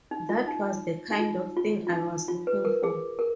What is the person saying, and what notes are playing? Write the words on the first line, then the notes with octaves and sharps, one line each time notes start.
That was the kind of thing I was looking for.
D#4
F4
D#4
D#4
F4
F4
F4
D#4
F4
B4
A#4
G#4
A#4